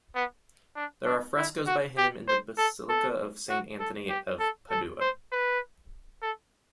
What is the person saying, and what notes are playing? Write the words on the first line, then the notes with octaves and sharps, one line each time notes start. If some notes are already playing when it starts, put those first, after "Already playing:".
There are frescoes by him in the Basilica of Saint Anthony of Padua.
B3
D4
D4
E4
F#4
G4
C5
A4
A4
F#4
A4
G4
A4
A4
C5
B4
A4